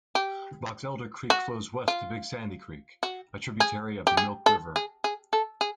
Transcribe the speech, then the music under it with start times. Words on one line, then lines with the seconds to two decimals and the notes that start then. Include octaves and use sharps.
Boxelder Creek flows west to Big Sandy Creek, a tributary of the Milk River.
0.15 G4
1.30 F#4
1.88 F4
3.03 F#4
3.60 G#4
4.07 G4
4.17 G#4
4.46 A4
4.76 G#4
5.04 G#4
5.33 A4
5.61 G#4